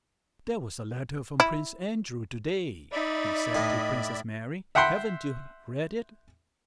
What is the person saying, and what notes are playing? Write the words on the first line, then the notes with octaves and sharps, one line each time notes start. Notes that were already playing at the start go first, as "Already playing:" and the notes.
"There was a letter from Prince Andrew today," he said to Princess Mary- -"Haven't you read it?"
E4
D#4 D5 E5 B5
A2 D#5
E5 F#5 G5 B5 C6